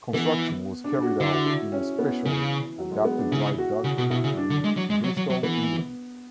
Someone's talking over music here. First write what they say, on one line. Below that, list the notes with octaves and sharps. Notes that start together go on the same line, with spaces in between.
Construction was carried out in a specially adapted dry dock in Bristol, England.
E3 B3
D4
F#4
D3 E4
F#4
E4
C#4
B3
C#3 E3
F#3
G#3
B3
D4
C#3 E4
F#4
C#3 F#4
B2 F#4
B2 E4
C#3
D4
D3
G#3
F#3
G#3
F#3
F#3
F#3
E3 B3